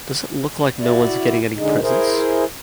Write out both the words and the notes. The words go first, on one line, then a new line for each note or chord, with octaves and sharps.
Does it look like no one's getting any presents?
E4 F#4 D5
D3 G#3 D#4
E4 G#4 A#4 C5